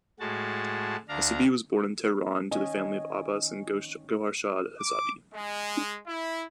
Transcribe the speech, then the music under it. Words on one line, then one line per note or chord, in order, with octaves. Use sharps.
Hessaby was born in Tehran to the family of Abbas and Goharshad Hessabi.
A2 G#3 F#4 A5
D2 D4 F5 A#5
D#3 C#4 D#5 G#5
D6
G#3
E4